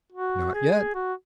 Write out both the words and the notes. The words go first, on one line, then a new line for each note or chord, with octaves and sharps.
"Not yet."
F#4
G#4
F#4